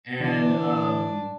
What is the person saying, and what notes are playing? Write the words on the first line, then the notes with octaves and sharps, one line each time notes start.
and, um,
D3 E3 D4